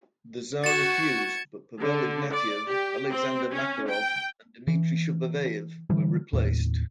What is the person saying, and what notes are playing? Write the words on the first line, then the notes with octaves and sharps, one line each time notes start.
The tsar refused, but Pavel Ignatieff, Alexander Makarov and Dmitry Shuvayev were replaced.
F#4 G#6 A6 C#7 E7
D3
D5
G4
C4
C#4
G5
E3
D3 E3 G3
D#2 A2